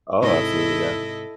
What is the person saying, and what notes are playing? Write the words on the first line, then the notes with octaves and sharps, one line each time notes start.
Oh, absolutely, yeah.
G#2 C3 E4 A4 D#5